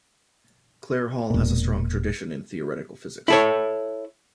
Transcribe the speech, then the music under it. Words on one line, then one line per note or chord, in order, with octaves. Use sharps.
Clare Hall has a strong tradition in theoretical physics.
E1 A#2
E4 A4 C#5